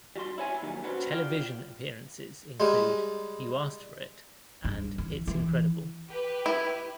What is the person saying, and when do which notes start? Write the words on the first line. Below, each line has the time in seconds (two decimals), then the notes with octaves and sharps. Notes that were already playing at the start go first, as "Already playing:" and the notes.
Television appearances include "You Asked for It" and "It's Incredible".
0.16 G3 F#4 C6
0.38 E4 C#5 G#5
0.62 A#2 D#3 F#3 G3
0.83 F#2 F#3 F#4 B4 C5
1.10 F4 D5 G5
2.60 G3 G#3
4.64 G2
4.98 E3
5.27 E3
6.08 G4 B4
6.46 E4